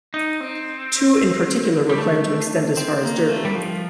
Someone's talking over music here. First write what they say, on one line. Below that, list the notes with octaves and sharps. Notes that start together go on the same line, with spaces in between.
Two in particular were planned to extend as far as Derby.
D#4
C4
G3
A3
C4
A#3
A3
G3
F3